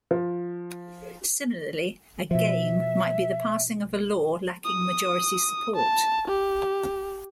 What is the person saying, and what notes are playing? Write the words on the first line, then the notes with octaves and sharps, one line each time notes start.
Similarly, a "game" might be the passing of a law lacking majority support.
F3
B2 F3 E5
D#6
A5
G4